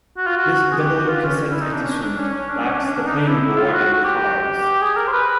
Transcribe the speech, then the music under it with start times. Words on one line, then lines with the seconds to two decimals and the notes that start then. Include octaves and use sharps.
This double cassette edition lacks the playing board and cards.
0.17 F#4
0.27 F4
0.37 F#4
0.72 G#4
0.79 G4
1.03 F#4
1.09 F4
1.25 C#4
1.51 E4
1.61 D#4
1.72 D4
1.82 C#4
1.92 D4
2.02 D4
2.18 C#4
2.34 C#4
2.49 D4
2.65 C#4
2.75 D4
2.85 C#4
2.96 D4
3.06 D#4
3.16 D4
3.27 E4
3.58 F4
3.73 F#4
3.93 F#4
4.04 G4
4.81 G#4
4.97 A#4
5.07 C5
5.12 B4